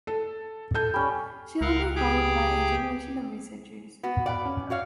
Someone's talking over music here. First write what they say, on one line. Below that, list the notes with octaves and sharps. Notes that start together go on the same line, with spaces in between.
She will be followed by a generation of researchers.
A4
A4 G6
G3 C#4
C#2 A#4 F5 F#5
G4 G#4 D6
B3 F#4
D5 F5 F#5 B5
C#4
F#4 C#5 F5